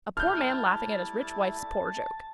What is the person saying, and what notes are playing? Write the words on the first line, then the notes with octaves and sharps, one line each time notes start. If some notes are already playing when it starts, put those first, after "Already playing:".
A poor man laughing at his rich wife's poor joke.
G3 A3 E4 A5 F6 G6